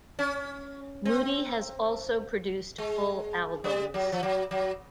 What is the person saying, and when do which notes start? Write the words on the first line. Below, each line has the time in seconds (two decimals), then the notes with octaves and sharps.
Moody has also produced full albums.
0.19 C#4
1.05 C4
2.78 G#3
3.64 G3
3.94 F#3
4.12 F3
4.23 F#3
4.51 F#3